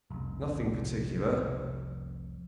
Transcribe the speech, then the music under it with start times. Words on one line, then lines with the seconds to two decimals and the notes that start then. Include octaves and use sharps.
"Nothing particular."
0.11 F1 C2